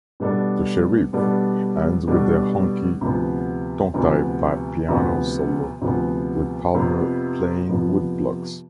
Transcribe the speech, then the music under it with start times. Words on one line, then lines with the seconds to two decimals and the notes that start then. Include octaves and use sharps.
"The Sheriff" ends with a honky tonk-type piano solo with Palmer playing woodblocks.
0.20 B2 G3 B3 D4 A4
1.13 B2 G3 B3 D4 A4
2.07 B2 G3 B3 D4 A4
3.01 D2 C3 F3 B3
3.94 D2 C3 F3 B3
4.88 D2 C3 F3 B3
5.81 D2 C3 F3 B3
6.75 F2 C3 F3 B3
7.68 F2 C3 F3 B3